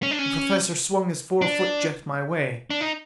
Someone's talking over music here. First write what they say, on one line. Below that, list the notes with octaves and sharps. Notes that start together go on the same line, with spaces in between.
The Professor swung his four-foot jet my way.
C#4
D4
C#4
D4
D4
D#4